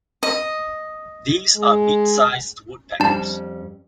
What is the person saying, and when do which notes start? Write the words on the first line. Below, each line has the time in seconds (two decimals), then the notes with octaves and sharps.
These are mid-sized woodpeckers.
0.23 D#5
1.56 G#3
3.00 F2 G3 C#4 D4 A5